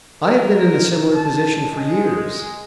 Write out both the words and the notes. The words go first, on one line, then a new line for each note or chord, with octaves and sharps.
I have been in a similar position for years.
A#4
A5
G#3